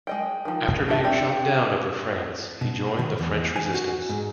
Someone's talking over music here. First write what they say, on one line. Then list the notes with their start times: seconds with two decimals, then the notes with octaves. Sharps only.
After being shot down over France, he joined the French Resistance.
0.07 G#3 D#5 G5
0.45 D#3 F3
0.89 A3 D4 F#4 E5 G5
1.04 C4 D4 G4
2.61 B2
2.99 D#3
3.19 E2
3.56 G#5
3.74 F#4
4.09 G#2